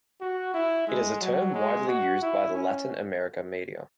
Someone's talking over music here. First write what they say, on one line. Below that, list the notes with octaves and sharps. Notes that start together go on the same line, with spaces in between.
It is a term widely used by Latin American media.
F#4
E4
G#3
F#3
G#3
F#4
E4
C#4